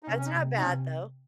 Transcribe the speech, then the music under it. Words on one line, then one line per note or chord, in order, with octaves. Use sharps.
That's not bad, though.
D#4
C3 C#4
C#4
D#4
C3
D#4
C3 C#4